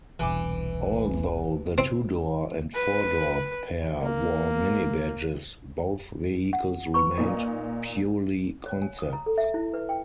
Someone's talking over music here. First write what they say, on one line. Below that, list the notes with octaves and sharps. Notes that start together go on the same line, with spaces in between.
Although the two-door and four-door pair wore Mini badges, both vehicles remained purely concepts.
E1 C2 E3 D6
C4
B4
A#3
F#5
B4 B5 C#6
A#2 D#4
C#5
G#5
D#6
A#5
A4
E5
E4
B4
G5